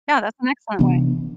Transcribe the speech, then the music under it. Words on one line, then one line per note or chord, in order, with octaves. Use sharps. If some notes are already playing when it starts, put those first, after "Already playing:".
Yeah, that's an excellent way.
C3 E3 B3 D4